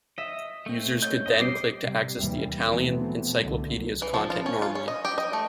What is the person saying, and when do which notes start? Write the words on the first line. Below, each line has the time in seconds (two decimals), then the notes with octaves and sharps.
Users could then click to access the Italian encyclopedia's content normally.
0.18 D#5 E5
0.66 A3 C4
1.02 C#5 D#5 G6
1.26 A#1 C5 D#5
1.40 G3 C#5 D6 C7
1.82 C3 G3
2.18 D#2 C3 E3 G3
2.64 B2 E3 F#3 A3 B3 C4
3.40 C2 D3 F#3 A3
4.02 E3
4.14 F3
4.30 F4
4.46 C#4
4.62 F4
4.75 C#4
4.88 D#5
5.05 G4
5.18 D#5
5.33 A3